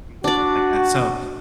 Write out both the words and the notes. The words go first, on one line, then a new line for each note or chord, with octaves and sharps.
streets, and stuff like that. So,
D4 F#4 D5